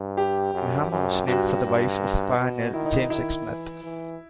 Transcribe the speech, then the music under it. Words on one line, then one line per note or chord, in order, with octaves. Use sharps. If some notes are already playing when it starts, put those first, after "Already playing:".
Mehama was named for the wife of pioneer James X. Smith.
Already playing: G2
G4
F#2
F#2
G2 F#4
G2
B2
D#3 E4
D#4
D#3 E4
E3
E3